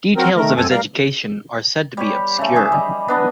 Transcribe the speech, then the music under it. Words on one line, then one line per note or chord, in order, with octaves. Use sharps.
Details of his education are said to be 'obscure'.
F#3 C4 A#4
D#3 A3 A#4
F#2 C4 A4 G#5
G3 A#4 F5
G3 G4 C#5
C#3 A3
G#4 E5 D6
G3 D#5
B3 D4 D#5